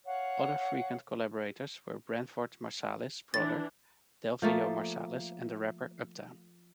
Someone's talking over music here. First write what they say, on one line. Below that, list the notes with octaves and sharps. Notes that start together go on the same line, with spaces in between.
Other frequent collaborators were Branford Marsalis' brother, Delfeayo Marsalis, and the rapper, Uptown.
C#5 F5 F#5
E3 D4 A6
F3 A3 A#3